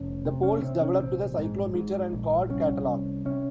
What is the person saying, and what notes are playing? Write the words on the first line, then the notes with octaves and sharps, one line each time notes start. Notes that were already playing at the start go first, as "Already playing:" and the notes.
The Poles developed the cyclometer and card catalog.
Already playing: F1 C#4
C3
C#4
C#4
C3 C4
C#4
A#1 C4
G#2
G#2
A#1
C2 C#4
C2
C3 C#4